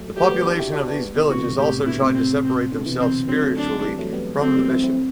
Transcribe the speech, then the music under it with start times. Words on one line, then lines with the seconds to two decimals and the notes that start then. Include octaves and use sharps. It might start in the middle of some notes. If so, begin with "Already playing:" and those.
The population of these villages also tried to separate themselves spiritually from the bishop.
Already playing: F#3 A3
0.16 F#3 A3 G4
0.31 G3 B3
0.45 D4 F#4
0.59 E4 G4
0.73 D4 F#4
0.87 B3 D4
1.16 B2 D3
1.30 C3 E3 F#4
1.58 A2 C3 G4
1.73 B2
1.86 B2 D3 E4
2.01 A2 C3
2.14 C4
2.43 C4
2.71 B2 D3
2.85 C3 E3
3.00 C4
3.28 D3 F#3 C4
3.42 F#3 A3
3.56 D4
3.84 E3 G3
3.98 F#3 A3
4.13 G3 B3
4.41 F#3 A3 C4
4.55 E3 G3
4.69 C4 E4
4.84 C4 E4